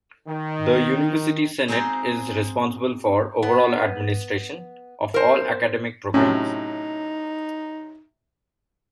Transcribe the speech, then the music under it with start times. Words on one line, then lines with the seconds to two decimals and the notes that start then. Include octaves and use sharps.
The University Senate is responsible for overall administration, of all academic programs.
0.28 D#3
1.68 G#3 C4 D#4 F#4 G#4 C5
3.43 B3
5.14 A#4 C5
6.14 A2 C3 F#3 C#4 D#4 G#5